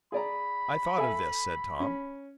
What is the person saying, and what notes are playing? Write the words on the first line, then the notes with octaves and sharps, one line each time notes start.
"I thought of this," said Tom.
G#4 D5 A#5 B5
A4 E5 G#5
C#4